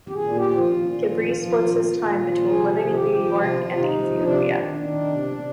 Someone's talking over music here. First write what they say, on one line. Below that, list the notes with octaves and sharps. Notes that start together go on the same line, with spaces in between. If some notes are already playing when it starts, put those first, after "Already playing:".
Gebre splits his time between living in New York and Ethiopia.
G4
G#4
A#2
G4
F3
F4
A#2
F3
F3
A#2
A#2
F3
C3 G#4
F3
G4
F3
C3 F4
C3
D#4
F3
C3 D4
D#3
D#3
C3
C3